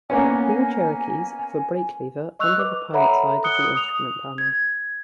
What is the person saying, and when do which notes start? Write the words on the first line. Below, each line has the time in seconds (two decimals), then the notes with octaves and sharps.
All Cherokees have a brake lever under the pilot side of the instrument panel.
0.10 A#3 B3 C#4 G#5
2.39 D#5 C#6 E6 F#6 F7
2.59 B4 D6
2.94 A4 C#5 E5 F#5 A#5 B5
3.44 D#6 F#6 C#7 G7
3.75 D#6 F7
4.38 G#6